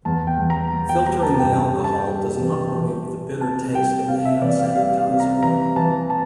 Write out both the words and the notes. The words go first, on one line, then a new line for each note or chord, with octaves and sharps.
Filtering the alcohol does not remove the bitter taste of the hand sanitizer.
E2 A5
G5
E2
A#5
E2
G5
G3 A#5
A5
A5
G2 G5
G3
A5
G3
E3
E3
G3
C3 A5
G3 G5
C3 F5
E5
E3 D5
F5
G3 F5
F5
C3
A#5
E3 A#5
E3 A5
A5